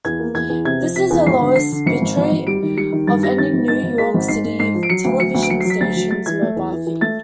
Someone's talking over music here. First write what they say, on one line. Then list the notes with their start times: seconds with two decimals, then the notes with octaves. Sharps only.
This is the lowest bitrate of any New York City television station's mobile feed.
0.05 E2 G#6
0.19 A#3
0.34 E2 G#6
0.50 E2
0.65 C3 G#6
0.81 F3
0.96 C3 B6
1.10 E2
1.26 G#1 C7
1.41 D3
1.56 D3 C7
1.72 D3
1.86 G#1 C#7
2.02 G#1
2.17 G#1
2.32 G#1
2.47 G3 D7
2.63 D#3
2.77 G3 C#7
2.93 D#3
3.07 G2 A6
3.23 G3 A#6
3.38 D#3 A6
3.53 G#1
3.68 G#2 A6
3.83 G#1
3.98 G#3 B6
4.14 G#1
4.28 G#2 C7
4.44 G#2
4.59 G#2 C7
4.74 F3
4.83 D7
4.90 F#3 C#7
5.05 D2
5.20 F#3 C#7
5.35 D2
5.43 D7
5.50 F#3 C#7
5.60 C7
5.65 F#3
5.70 B6
5.81 D2 A6
5.96 F#3
6.11 A3 A6
6.26 E3 G#6
6.42 A3
6.56 E2
6.72 E3
6.87 E3
7.01 A3 A6